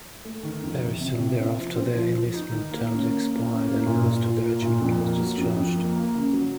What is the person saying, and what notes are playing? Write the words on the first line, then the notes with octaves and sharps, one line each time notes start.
Very soon thereafter, their enlistment terms expired, and most of the regiment was discharged.
A3
D#3
F2
C3
C3
C3
C4
F3
C4
F3
F3
D#4
D#3
A#3
C#4
A#3
A#3
C#4
A#3
A#2
A#2
F4
A#3
A#2
F2
A#3
F#3
F2
F2
A#3
A#3
C#3
F#3